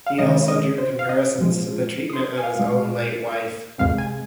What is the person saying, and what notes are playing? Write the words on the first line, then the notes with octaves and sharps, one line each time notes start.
He also drew comparisons to the treatment of his own late wife.
F5
C3 D#3 G#3 D#5
D#5
C5
F5
D#5
A#2 F3 G#3
D#6
C6
G#5
F5
A#2 G#3
C3 G#3 F5
G#5